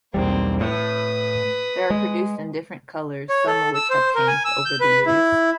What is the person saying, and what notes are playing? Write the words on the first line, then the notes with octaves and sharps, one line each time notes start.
They are produced in different colors, some of which have changed over the years.
B1 E2 G3 A#3 C4
A2 B4 D#6
G#3
C#5
A4
E6
C5
A#4
G#5
E6
G6
B4
E4